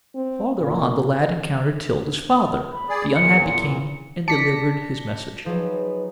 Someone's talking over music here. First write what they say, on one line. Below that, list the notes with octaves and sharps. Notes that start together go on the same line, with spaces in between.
Farther on, the lad encountered Tilda's father, the unhappy King, and delivered his message.
C4
A#2
B5
G#4 D5
E2 A#2 C#7
D5 A5 A#6 B6 C#7
F3 F#3 D#4 G#4 B4